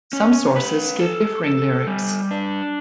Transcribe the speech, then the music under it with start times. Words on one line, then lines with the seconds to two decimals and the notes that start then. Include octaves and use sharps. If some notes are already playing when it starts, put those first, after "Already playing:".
Some sources give differing lyrics.
0.13 C#4
0.56 B4
0.99 A4
1.44 A4
1.87 G3
2.31 D4